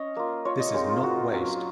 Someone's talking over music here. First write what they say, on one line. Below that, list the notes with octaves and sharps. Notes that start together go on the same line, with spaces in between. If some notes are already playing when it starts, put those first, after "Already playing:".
This is not waste.
Already playing: C#4 C#5 D#5
A#3 F4
A#3 F4 C#5
D#5
G#3 C4 D#4 C#5
F4
A#3 F4 F#4
F#3 C#4 F4